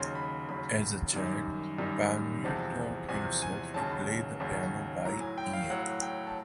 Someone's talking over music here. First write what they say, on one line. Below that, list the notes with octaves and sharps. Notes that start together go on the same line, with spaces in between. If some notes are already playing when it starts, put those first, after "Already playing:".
As a child, Palmieri taught himself to play the piano by ear.
Already playing: D#2 C#3 F#3 C6
B5
D#2 C#3 F#3 B5
F#2 D#3 G3
F#2 D#3 G3
E2 C3 F3 A5
E2 C3 F3 G#5
G#5
D#2 C#3 F#3 A5
D#2 C#3 F#3
A2 F#3 A#5
G#5
G5
F5
A2 F#3 F#5
G5
A5